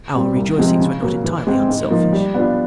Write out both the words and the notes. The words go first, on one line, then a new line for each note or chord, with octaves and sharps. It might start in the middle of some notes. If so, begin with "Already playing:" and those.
Our rejoicings were not entirely unselfish.
G3 C4
C2
C3 F3 G#3 C4
C#3
F#3 A#3
E3
G#3 C4
G#2
F3 A#3 D#4
G3
B3 D4 F4